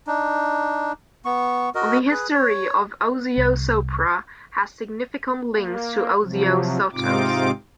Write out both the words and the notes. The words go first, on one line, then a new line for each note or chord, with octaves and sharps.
The history of Osio Sopra has significant links to Osio Sotto's.
D4 D#4
B3 C#6
F#4 A#4 D#5
G#4 B4
C#5
C2
A#3
C3 F3 F#3
G#2 C3 C4 D#4 F4 D6